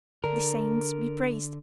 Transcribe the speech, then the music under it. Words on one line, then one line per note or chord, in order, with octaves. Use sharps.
The saints be praised!
D3 D4 A#4